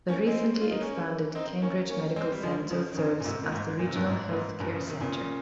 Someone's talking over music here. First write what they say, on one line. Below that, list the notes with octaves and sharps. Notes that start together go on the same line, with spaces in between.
The recently expanded Cambridge Medical Center serves as the regional health care center.
A#3 C#4
G#3 C4
F4
D#4
A#3 C#4
C4 D#4
A#3 C#4
A#3 C#4
G#3 C4
G3
F3 G#3
C#3 F3
D#3
A#2 C#3
A#2
G#2 C3
A#2
G#2
A#2
C3
G2 A#2
G#2
A#2
G#2
G2 A#2
A#2 C#3
C3 D#3
A#2 C#3